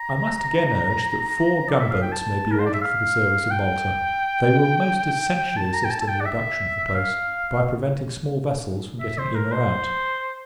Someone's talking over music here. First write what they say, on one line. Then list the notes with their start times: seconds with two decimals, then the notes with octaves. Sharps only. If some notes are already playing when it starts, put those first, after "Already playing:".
I must again urge, that four gunb-oats may be ordered for the service of Malta; they will most essentially assist in the reduction of the place, by preventing small vessels from getting in or out.
Already playing: A#5
1.69 D5
1.80 E5
1.91 F5
2.02 G5
2.12 A5
2.51 A#4
2.59 C5
2.66 D5
2.73 E5
2.81 F5
3.51 G5
5.57 A5
5.74 A#5
5.84 G5
5.91 A5
6.01 A5
6.08 G5
6.21 D5
6.25 E5
6.95 F5
9.00 E5
9.18 C5
9.35 A#4
9.52 C5